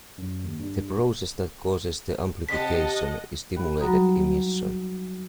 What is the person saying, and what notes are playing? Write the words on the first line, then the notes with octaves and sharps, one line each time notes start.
The process that causes the amplification is stimulated emission.
F#2
D#2
G2
C3 G4 D#5 F#5 A5 B6
D#2 B5
F#3 G3 F#4 A#5 B5 D#6